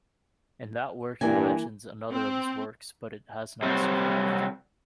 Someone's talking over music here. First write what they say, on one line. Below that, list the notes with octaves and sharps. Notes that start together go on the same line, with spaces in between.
In that work he mentions another of his works, but it has not survived.
G2 E3 A#3 G#5
C4
C3 F#3 G3 C4